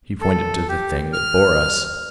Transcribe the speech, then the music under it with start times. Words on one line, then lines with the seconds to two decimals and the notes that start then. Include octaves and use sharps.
He pointed to the Thing that bore us.
0.21 A4
0.69 G4
1.13 F6